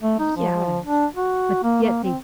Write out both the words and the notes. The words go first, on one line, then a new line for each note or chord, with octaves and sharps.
Yes, but yet they
A3
D#4
F3
D4
F#4
A#3
A#3
C4